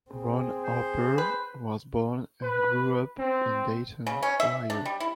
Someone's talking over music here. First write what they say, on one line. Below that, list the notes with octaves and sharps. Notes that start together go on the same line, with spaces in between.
Ron Harper was born and grew up in Dayton, Ohio.
C4 G#4
C5
B4
B4
C4
C#3
C#4
E5
D4
G3
E4